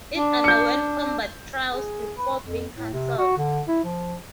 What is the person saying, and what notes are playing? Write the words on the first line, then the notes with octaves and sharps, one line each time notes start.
It underwent combat trials before being canceled.
D4
G6 C#7
G#4
B4
F2
A2
C3
F#4
D3
E4
F3